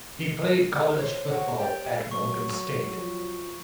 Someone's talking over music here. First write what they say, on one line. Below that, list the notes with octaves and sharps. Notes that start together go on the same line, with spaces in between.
He played college football at Morgan State.
C5 C#5
F#4 C#6 D6
G4 D5 G5
F#3 C#6
F3